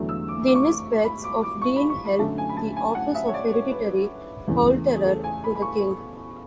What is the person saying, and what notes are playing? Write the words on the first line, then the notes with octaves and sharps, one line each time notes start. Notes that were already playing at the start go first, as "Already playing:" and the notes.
The Nisbets of Dean held the office of Hereditary Poulterer to the King.
Already playing: E2 D3 F#3 A3
E6
D6
D6
C#6
D6
B5
D6
D6
C#6
B5
C#6
B5
F#2 D3 A3 A5
G#5
B5
A5
G#5
F#5
E5
C#5
D5
C#5
B4
E2 C#3 E3 A3
G#4
A4
G#5
B5
B5
C#6